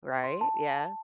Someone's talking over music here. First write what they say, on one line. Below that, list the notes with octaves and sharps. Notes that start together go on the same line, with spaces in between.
Right, yes.
C6
A5